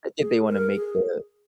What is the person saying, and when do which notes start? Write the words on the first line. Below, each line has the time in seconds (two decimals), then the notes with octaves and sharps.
I think they wanna make the
0.19 G#4
0.47 A#4
0.75 G#4